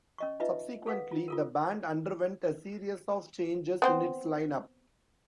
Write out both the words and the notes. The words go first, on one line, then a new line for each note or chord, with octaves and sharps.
Subsequently, the band underwent a series of changes in its line-up.
C#4 D#5 C#6
D#4 F4 B4 D#5 E5
G#4 A4 B4 F5 F#5
F4
F4 A4 A#4
B3 C4 C5